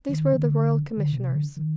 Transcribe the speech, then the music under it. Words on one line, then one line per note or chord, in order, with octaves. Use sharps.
These were the Royal Commissioners.
D#3
D3
D#3
D3
D3
B2
C3
D3
D#3